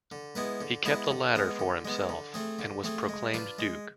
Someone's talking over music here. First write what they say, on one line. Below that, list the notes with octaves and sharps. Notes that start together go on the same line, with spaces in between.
He kept the latter for himself and was proclaimed duke.
D3
G#3 B3 E4 B4
D3
G#3 B3 E4 B4
D3
G#3 B3
D3
G#3 B3
D3
A3 C4 G#4
D3
A3 C4 G#4
G#3
D4 F4 B4
G#3